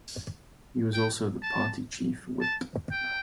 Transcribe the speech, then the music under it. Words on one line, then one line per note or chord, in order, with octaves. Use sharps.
He was also the party Chief Whip.
G5
A5
A5
G5